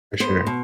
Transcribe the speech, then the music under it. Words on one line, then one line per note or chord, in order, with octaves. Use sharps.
For sure.
B3 C5
B2